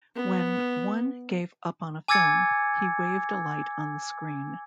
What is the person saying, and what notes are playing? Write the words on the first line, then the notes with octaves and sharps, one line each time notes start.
When one gave up on a film, he waved a light on the screen.
B3
G#5 D6 E6 G#6 A6 C#7